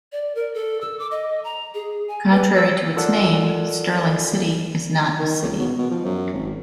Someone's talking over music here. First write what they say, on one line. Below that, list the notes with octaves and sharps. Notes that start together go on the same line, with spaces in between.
Contrary to its name, Stirling City is not a city.
D5
A#4
A4
E6
D6
D#5
A#5
G#4
G#5
B4
E6
F4 A4 A#4 D5 F#5
D#3
C#2
B2
B2
F3
F#2
G#1